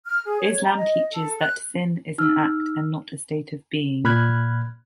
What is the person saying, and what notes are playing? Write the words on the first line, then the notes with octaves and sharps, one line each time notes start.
Islam teaches that sin is an act and not a state of being.
F6
G#4
C#5
A#5
D#5
A4
F#6
D#4 E6 F6
A#2 B5 F6 F#6 G#6